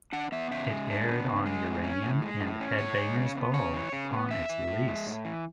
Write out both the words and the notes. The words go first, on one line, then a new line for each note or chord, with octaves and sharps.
It aired on "Uranium" and "Headbangers Ball" upon its release.
D4 F#5
B3 E5
C#3 E5
G#3
D4
B3
C#3
G#3
A2
C#4
A2
G#3
A2
C#4
A2 C#5
G#3
C#3
B3
C#3 C#5
E3
C#3
B3
C#3 E5
E3
A2
G#3
A2
E3